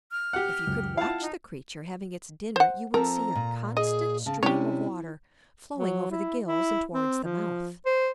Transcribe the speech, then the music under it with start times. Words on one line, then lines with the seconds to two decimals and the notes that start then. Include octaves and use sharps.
If you could watch the creature having its dinner, you would see a constant stream of water flowing over the gills and towards the mouth.
0.12 F6
0.33 G4 F#5
0.67 C#2 F#2
0.97 E4 F4 F5 F#5 A5
1.21 D#4
2.56 C5 F#5
2.94 F3 C4 A4 A#4 A#5
3.36 A#2
3.77 G#4 D#5
4.26 C#3 A5
4.43 C3 C#4 D4 E4 G4 C#5
5.77 F#3
6.11 E4
6.46 E4
6.94 C4
7.24 F3
7.86 C5